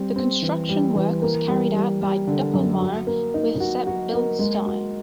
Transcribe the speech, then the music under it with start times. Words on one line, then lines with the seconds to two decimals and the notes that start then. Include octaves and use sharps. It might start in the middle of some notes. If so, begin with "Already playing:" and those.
The construction work was carried out by Doppelmayr with Sepp Bildstein.
Already playing: G3 C4
0.16 C4
0.42 E3
0.69 G3
0.95 E3
1.22 A#3
1.48 G3
1.74 G3
2.01 G3
2.27 D3
2.54 F#2
2.81 F#4
3.07 A#3
3.34 D#4
3.60 F#4
3.87 F#4
4.13 A#3
4.39 G#3
4.66 F#4